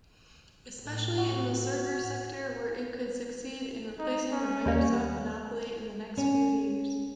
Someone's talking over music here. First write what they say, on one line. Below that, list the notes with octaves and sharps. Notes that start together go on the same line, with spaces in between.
Especially in the server sector where it could succeed in replacing the Microsoft monopoly in the next few years.
A2
F#4
D#4
C#4
D#2 G3 A#3
C#4